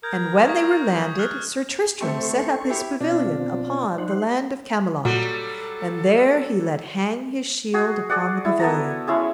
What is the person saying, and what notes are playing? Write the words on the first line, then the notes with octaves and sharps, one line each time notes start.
And when they were landed Sir Tristram set up his pavilion upon the land of Camelot, and there he let hang his shield upon the pavilion.
A#4 D#6 G6 G#6
C#6 D#6 G#6
F6 F#6 A6
A3 C4 G4 A4 C5 C#6
E4 G4
B2 C4 D4 F4
D#4 C5 F#5
A#2 F#3 G3 F#4 A4
F#4 G#4
G#4 D5 F#5
E4
B3 A4 A#5
G#3 C#4 E4 G#4